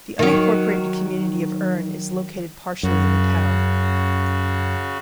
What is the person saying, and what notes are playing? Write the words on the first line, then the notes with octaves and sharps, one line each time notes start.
The unincorporated community of Urne is located partially in the town.
D#3 F#3
F#2 C#3 F#4